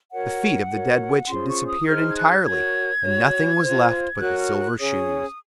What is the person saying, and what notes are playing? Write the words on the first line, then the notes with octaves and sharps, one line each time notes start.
The feet of the dead Witch had disappeared entirely, and nothing was left but the silver shoes.
F#4 A#4 C#5 F#5
F#4 A#4 C#5
C#4 F4 G#4 C5 C6
C#6
D#6
D#4 G#4 C5 F6
G#6
F#6
F#4 A#4 C#5 G#6
F#4 C#5
F4 C5
F#4 A#4 C#5 F#6
F6
F#6
C#4 G#4 C#5 D#6